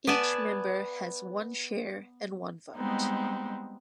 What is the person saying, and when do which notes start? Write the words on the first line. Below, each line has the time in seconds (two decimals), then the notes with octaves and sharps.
Each member has one share and one vote.
0.07 B3 B4 D5 G#5 A5
2.76 G3 G#3 B3 C4 D#4